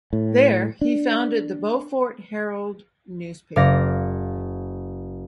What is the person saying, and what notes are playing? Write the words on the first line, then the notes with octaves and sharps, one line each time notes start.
There, he founded the "Beaufort Herald" newspaper.
A2
D4
F#1 D5 F5 F6 A#6